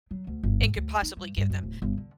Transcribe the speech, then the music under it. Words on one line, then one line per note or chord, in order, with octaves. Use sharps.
and could possibly give them.
F#3
D2
G1
G#2
D2
D#4
G2
G2
F#2
D1
G1
D3